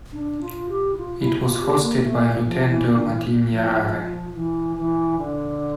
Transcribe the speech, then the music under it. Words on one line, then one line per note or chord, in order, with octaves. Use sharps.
It was hosted by Rutendo Matinyarare.
D4
F4
G4
E4
F4
E4
F4
G4
A#3
A3
F3
E3
D3
E3
F3
E3
E3
D3